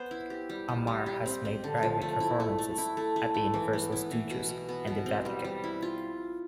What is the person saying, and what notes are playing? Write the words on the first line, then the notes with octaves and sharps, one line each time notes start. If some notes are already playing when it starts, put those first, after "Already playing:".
Ammar has made private performances at Universal Studios and the Vatican.
Already playing: B3 C5
E4
G4
G3
G3
G3
G4
C4
C4
D3
F3
A3
E4
A3
A3
E4
A3
A3
E4
E3
B3
E4
E3
B2
B2
B3
B2
C4
G3
G3
E4
F4